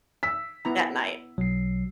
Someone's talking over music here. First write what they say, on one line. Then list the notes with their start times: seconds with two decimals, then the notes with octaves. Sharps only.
at night.
0.23 E6 B6
0.65 B3 E4 A#5
1.38 B1 F#3 C7